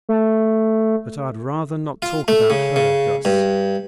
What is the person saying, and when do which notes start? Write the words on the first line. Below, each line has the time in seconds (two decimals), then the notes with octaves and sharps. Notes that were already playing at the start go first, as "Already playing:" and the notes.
But I'd rather not talk about her, Guss.
0.09 A3
2.02 F4
2.28 A3
2.50 C#3
2.76 C#3
3.25 G2